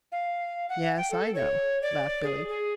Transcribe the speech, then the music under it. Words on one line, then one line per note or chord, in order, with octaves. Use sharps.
"Yes, I know," laughed Billy.
F5
F#5
G5
A4
C#5
D5
G#4
G#4